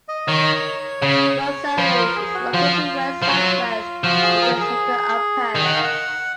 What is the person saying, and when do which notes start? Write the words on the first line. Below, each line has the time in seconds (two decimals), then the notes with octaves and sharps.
Versailles is located west-southwest from the centre of Paris.
0.08 D#5
0.27 D#3 C#5
1.02 C#3
1.77 F3 B4
1.97 A#4
2.16 G#4
2.35 F#4
2.54 F3 F4
3.22 F3
3.28 F#3
4.04 F3 F#4
4.23 G#4
4.42 A#4
4.60 G#4
5.55 D#3
5.65 F#5
5.74 F5
5.84 F#5